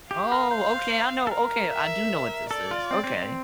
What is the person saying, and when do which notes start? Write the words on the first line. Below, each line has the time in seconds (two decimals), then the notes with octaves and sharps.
Oh, okay, I know, okay, I do know what this is, okay.
0.11 G4 F5
0.32 A#4
0.51 C5
1.27 A4
1.31 A#4
1.71 E5
2.50 A4 D5
2.71 F4
2.91 C4
3.04 C4
3.17 C4